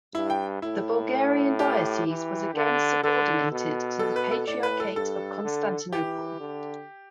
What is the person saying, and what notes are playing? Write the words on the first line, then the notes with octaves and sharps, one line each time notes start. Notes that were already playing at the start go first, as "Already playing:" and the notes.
The Bulgarian diocese was again subordinated to the Patriarchate of Constantinople.
G2 E4
G5
A2 E4
G4
E3
D3
D3 A4
B2
A4
B4
A4
A2 D5
B4
A4
G2 A4
D3
E3 G4
D3